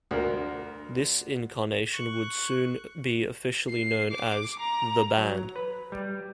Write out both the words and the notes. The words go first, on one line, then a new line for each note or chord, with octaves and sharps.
This incarnation would soon be officially known as The Band.
D2 A#4
C#6 F#6
C7
D6
A#5
F#3
B4
G3